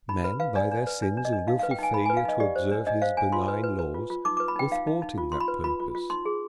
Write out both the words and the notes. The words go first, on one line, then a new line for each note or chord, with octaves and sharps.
Men by their sins and wilful failure to observe his benign laws were thwarting that purpose.
D#4 B5
B4 B5
B4 F5
D4 D5
D4
B4
D4
D4
D#5
D4
D#4 F5
B4 F5
G5
D#4 G#5
D#4 B5
B4 G#5
F5
D#4 D#5
G4 D5
C5
D4
D4 D#5
C5 F5
D4 G#5
F4 C6
B4
B4
B4
F4
F4
D#4 D6
B4 D6
B5
D#4 G5
D#4 F5
D#4
D#4
F4
F4 C6
B5
B4
F4 B5
F4
F4
D#4 C6
G#4